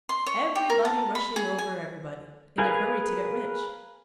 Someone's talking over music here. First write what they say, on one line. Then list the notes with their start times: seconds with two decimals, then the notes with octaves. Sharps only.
Everybody rushing over everybody, in their hurry to get rich.'
0.09 C6
0.26 C#5
0.55 G4
0.70 A#4
0.85 A5
1.15 B5
1.36 G#4
1.58 G#5
2.58 G#4 A#4 B4 F5 G#5